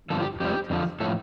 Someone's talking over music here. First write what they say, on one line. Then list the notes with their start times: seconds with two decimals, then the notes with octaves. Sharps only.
we protested,
0.10 G2 D3 F3 A4
0.21 G4
0.40 F2 F3 G4
0.70 F2 D3 F3
1.00 A2 F3 A4